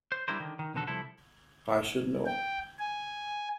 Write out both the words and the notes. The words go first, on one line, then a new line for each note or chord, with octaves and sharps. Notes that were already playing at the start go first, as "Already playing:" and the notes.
I should know.
C5
G3 D4 E4 A#4 C5
D3 D#3
D#3
B1 E2 D3 F#4 A4
C2 F3 E4 A4
G5
G#5